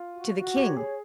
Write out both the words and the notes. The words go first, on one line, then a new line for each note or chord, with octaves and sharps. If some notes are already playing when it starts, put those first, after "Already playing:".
"To the king."
Already playing: F4
F#4
F#4
G4 C#5
G#4 C#5